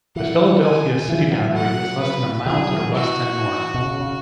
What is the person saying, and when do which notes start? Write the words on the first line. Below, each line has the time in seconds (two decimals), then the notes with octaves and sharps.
The Philadelphia city boundary is less than a mile to the west and north.
0.15 E3 F#5
0.61 G#5
1.08 E3
1.19 E3
1.31 F#3
1.43 E3
1.54 F#3 F#5
2.00 B4
2.46 E3 G#4
2.58 F#3
2.69 E3
2.81 F#3
2.92 E3 F#4
3.74 B2
3.84 C#3
4.00 C#3